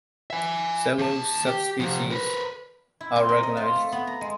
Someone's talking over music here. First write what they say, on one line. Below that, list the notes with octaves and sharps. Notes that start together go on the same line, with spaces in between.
Several subspecies are recognized.
E5 G#5
D#2 A5
G4
C3 F3
A#4 B4
E4
C4
A#4
D#5
F4
A3
B3
A#5
G#3